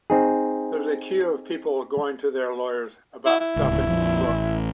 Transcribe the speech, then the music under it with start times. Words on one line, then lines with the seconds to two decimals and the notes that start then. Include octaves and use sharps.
There's a queue of people going to their lawyers about stuff in his book.
0.10 C4 D#4 G#4
3.25 E4
3.40 E4
3.56 D1 C#2
3.88 A#1 F2
4.28 A1